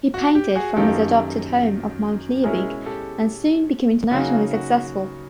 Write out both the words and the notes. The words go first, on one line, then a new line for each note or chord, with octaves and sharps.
He painted from his adopted home of Mount Liebig and soon became internationally successful.
F#4
G4
F#4 G#4
F#2 D#3 F#3 A#3 G4 A4
B2 G#3 C#4 E4 G#4 A#4
G4 A4
C#3 F#3 A#3 D#4 F#4 G#4
F#4